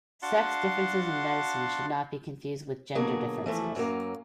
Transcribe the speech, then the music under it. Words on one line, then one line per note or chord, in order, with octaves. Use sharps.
Sex differences in medicine should not be confused with gender differences.
D4 F#4 F5 F#5 A5 C6
B2 D3 F#3 A#3 G#4
E3 F3 A3 E4
F#2 F#3 G#3 A#3